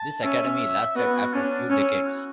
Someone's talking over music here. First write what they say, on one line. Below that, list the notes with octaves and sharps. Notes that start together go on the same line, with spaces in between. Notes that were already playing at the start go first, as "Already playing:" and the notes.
This academy lasted after few decades.
Already playing: A5
C#4 E5
B3 F#4
C#4 D4
D4
C#4 E4
F#4